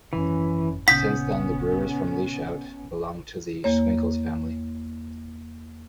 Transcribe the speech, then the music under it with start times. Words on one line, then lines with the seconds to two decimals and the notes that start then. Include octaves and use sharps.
Since then the brewers from Lieshout belong to the Swinkels family.
0.13 G#1 F#2 E3 C#4
0.88 A#2 C#3 B3 C#4 F#5 D#6 G6 B6
3.64 E2 A#3 C#5